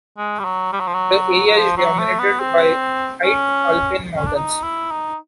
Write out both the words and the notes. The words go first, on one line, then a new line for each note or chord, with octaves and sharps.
The area is dominated by high alpine mountains.
G#3
G3
F#3
G3
F#3
F3
F#3
F#3
F3
F#3
A3
B3
C4
C#4
C#4
D4
D#4
E4
D#4